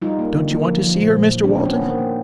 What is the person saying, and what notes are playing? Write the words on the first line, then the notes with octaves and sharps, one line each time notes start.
"Don't you want to see her, Mr Walton?"
G3 D#4 F4
A#3
D3
A#3
F3
F3
A#2
A#2
F#3
C4 D4
D#3
B3 C#4
A#3 B3 C#4
D#3 A#3 C4
A#3